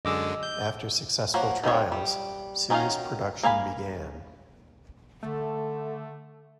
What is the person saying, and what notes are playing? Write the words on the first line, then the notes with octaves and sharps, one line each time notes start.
After successful trials, series production began.
F#2 D3 G#3 D#5 D6 E6
G6
F3 F#3 A#3 F#4
D#3 G3 C4 C#5
G3
D#3 C#4 D#4 F#4 F5
A#3 F5 G#5 B5
D3 A3